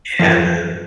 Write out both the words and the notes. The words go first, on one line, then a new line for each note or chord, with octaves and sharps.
Yeah, man.
F3